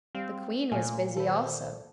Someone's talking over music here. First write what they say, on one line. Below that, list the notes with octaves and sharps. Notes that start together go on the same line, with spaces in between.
The Queen was busy also.
G3 C4 F5
C2 A#2 A3 F5 G#5
D#3 A4 C5 B5